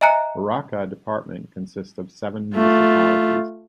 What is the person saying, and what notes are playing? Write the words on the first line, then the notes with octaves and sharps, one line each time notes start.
Arauca department consists of seven municipalities.
D#5 E5 G#5 A#5 F#6 C#7
A3 F4